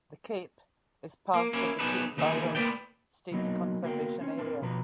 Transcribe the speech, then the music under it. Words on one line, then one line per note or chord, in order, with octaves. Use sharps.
The Cape is part of the Cape Byron State Conservation Area.
A#3
A#3 C#4 E4
B3 D#4 G#4 A4 B4
D#2 E3 D#4 G#4 E5
A#3 A#4 B4 D5 G5
F#3 A#3 B3 D#4 F#4 D#5
A#3 B3 F#4 A#4 F5 G5
C4 C#4 D#4
C4 D4 A4 A#4
B2 F3 B4 A#5